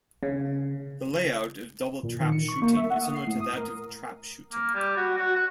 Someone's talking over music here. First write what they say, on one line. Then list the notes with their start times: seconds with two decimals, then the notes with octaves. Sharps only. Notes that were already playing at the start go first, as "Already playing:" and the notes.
The layout of double trap shooting is similar to that of trap shooting.
0.23 C#3
2.03 A#2
2.20 D#3
2.32 C#7
2.49 C#6
2.62 A#3
2.77 E5
2.90 F#5
3.02 D#6
3.15 C7
3.27 A2
3.40 D#6
3.57 A#4
4.52 A#3
4.75 G3
4.97 F#4
5.17 F#4
5.36 F#5